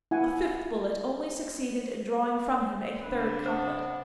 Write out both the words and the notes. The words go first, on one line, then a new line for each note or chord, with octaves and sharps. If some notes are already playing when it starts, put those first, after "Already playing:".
A fifth bullet only succeeded in drawing from him a third couplet.
E4 F#5 G#5
C#3 C4 D4 B4
B3 C5